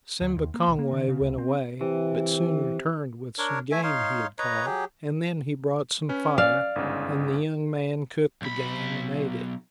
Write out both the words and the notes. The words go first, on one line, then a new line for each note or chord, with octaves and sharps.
Simba Kongway went away, but soon returned with some game he had caught, and then he brought some fire, and the young man cooked the game and ate it.
D2
D#2
A#3
B1
A#3
D3
C#3
C#2
C4
C3 E3
D4 A#4 C#5
A3 E5 G#5
D#4 C#5 F5 C6
B4 C#5 D#5 A#5
F#3 G4 G#4
C#4 B4
D5 F5
G1 G#2 C#3
B1 B5